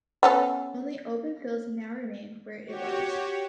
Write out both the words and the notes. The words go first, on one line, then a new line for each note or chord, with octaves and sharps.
Only open fields now remain where it was.
B3 C#4 A4
F#4 G4 C#5